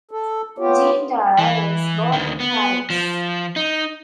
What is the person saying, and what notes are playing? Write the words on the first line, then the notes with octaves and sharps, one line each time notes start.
Jean Dara was born in Paris.
A4
B3 F4 G4 C#5
E3
D2 D#3
B3
F3
D#4